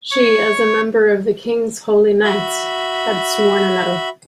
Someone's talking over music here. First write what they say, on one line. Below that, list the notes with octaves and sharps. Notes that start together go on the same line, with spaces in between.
She, as a member of the king's holy knights, had sworn an oath.
C#5
F#4 E5 B5